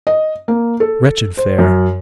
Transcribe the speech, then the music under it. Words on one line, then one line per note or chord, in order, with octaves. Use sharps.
Wretched fare!
D#5
A#3
A4
C5
F#2